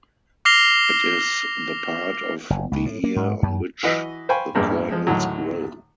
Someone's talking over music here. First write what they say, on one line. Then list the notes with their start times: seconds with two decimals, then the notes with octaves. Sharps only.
It is the part of the ear on which the kernels grow.
0.45 D6 F6 A#6 C7 F7 G7
2.50 F#1
2.72 C#2
2.85 A2
3.04 A#3
3.16 G#2
3.42 F#2
3.83 E3 F#4 B4 D#5
4.29 C5 F5 G5 G#5 B5 C#6
4.55 A1 E2 G2 A#3 G#4 A#4
4.91 F3 G#3
5.07 D#2 A2 D3 E3 F#3